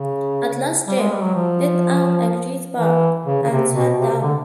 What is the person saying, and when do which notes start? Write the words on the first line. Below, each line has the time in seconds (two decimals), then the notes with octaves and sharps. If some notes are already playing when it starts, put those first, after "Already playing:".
At last Jip let out a great bark and sat down.
Already playing: C#3
0.87 G3
0.98 G#3
1.11 G3
1.22 F#3
1.34 F3
2.77 E3
3.26 C#3
3.43 C#3
3.50 C3
3.73 B2
3.98 C3
4.22 D3